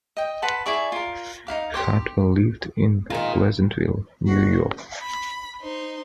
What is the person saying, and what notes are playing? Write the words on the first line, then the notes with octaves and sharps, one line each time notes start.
Hartwell lived in Pleasantville, New York.
D#5 G5
B4 F#5 A5 C6
E4 G#4 D5 C#6
F4 A#4
D#4 E4 F5 D6
G4 C6 D6
D#3 G#3 F4 A#4
F#1 F#4
B5
D#4 C5